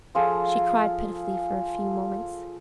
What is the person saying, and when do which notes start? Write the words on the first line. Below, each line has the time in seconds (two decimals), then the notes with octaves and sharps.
She cried pitifully for a few moments.
0.15 F3 F4 G#4 A4